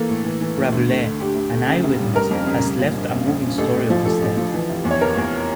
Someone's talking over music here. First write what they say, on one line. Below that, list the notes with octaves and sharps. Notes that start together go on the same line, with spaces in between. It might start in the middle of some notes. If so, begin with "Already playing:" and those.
Rabelais, an eye-witness, has left a moving story of his death.
Already playing: E3 A#3 A4
A2
E3
E3
A2
D2
A3
D3
D3 G4
D2
A3
C#3
F1
G3
F1 A#4
F2
C#3
G3
A#2
A#1
A#1
A#1
A#1
A1 A4
A1
F3
A1 A4
A1
F3
E3
F1
E2
C#5
E3 A#4
E2